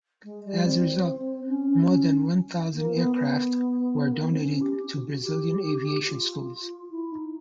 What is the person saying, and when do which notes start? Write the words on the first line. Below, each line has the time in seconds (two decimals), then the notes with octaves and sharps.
As a result, more than one thousand aircraft were donated to Brazilian aviation schools.
0.24 G#3
0.44 G3
0.65 C4
1.49 C#4
1.70 C#4
1.91 C#4
2.74 A#3
2.95 B3
3.15 B3
4.11 A#3
4.21 B3
4.31 C4
4.41 C#4
4.61 G4
4.95 F#4
5.09 F#4
5.23 G4
6.07 F4
6.90 E4
7.11 D#4